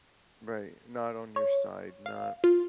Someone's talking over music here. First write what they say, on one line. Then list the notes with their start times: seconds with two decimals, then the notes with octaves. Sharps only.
Right, not on your side, not
1.36 C#5
2.06 F5
2.44 F4